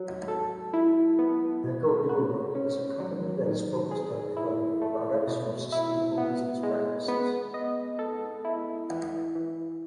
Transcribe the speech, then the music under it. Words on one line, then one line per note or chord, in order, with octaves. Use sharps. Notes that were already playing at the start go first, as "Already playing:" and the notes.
EcoDuro is a company that is focused on developing products for sustainable business practices.
Already playing: F#3
A4
E4
B3
B2
F#4
C#4
F#3
D#3
G#4
E4
A3
B2
E4
B3
G#3
B3
D#5
A4
E4
E3
E3